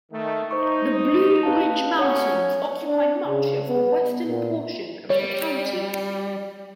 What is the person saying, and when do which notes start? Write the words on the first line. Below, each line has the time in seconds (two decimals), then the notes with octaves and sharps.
The Blue Ridge Mountains occupy much of the western portion of the county.
0.11 D#3 A3
0.51 D#4 C5 C#6
1.43 B4 F5 A5
1.99 F#3 A3 C#4 C#5 F#5
2.87 D4
3.27 C#3
3.68 B3
4.27 A#2
5.10 G3 C#5